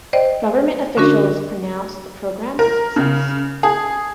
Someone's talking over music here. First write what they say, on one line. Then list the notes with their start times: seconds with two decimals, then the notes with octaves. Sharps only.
Government officials pronounced the program a success.
0.13 C5 D5 D#5 G5
0.97 D3 C#4 D4 F#4 A#4
2.59 A#4
2.96 C#3
3.63 G#4